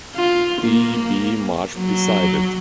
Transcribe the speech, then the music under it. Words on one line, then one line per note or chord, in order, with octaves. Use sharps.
T. B. Marsh presided.
F4
A#3
F#3